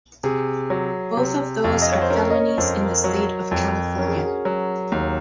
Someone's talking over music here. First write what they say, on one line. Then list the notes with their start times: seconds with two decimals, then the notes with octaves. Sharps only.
Both of those are felonies in the state of California.
0.24 C3 G#4
0.70 F#3
1.17 C3
1.64 F2
1.72 F5
1.82 D#5
1.91 C#5
2.01 C5
2.10 C#4 A#4
2.30 D#5
2.34 C#5
2.58 F2 C5
2.81 A#4
3.04 F#3
3.51 F2
3.98 C#4 A#4
4.08 G#4
4.16 F#4
4.26 G#4
4.45 F#3
4.92 D#2